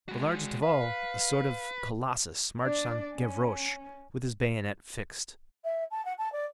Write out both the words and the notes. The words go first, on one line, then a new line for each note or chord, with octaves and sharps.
The largest of all, a sort of colossus, marched on Gavroche with his bayonet fixed.
G#3 F#4
B4 F5
D4 D5
C#4
E5
A5
F#5
A5
D5